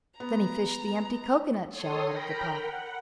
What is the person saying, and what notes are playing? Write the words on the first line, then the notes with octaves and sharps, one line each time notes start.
Then he fished the empty cocoanut shell out of the pot.
B3 A#5
A4 C#5 C6 D#6
A#4 G5 A#5 B5
F#5